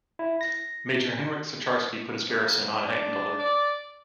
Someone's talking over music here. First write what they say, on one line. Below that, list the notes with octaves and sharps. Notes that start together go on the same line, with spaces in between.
Major Henryk Sucharski put his garrison on heightened alert.
E4
A#6
F2
D4
D5